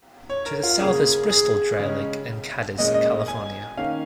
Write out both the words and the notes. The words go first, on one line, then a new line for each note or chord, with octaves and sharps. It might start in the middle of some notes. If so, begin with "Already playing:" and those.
To the south is Bristol Dry Lake and Cadiz, California.
C#5
A#4
F4
C#3 A#3 C#4 G#4
G#4
C#3 G#3 C#4
A#2 G#3 C#4 D#5
D#5
G#5
D#3 A#3 C#4 F5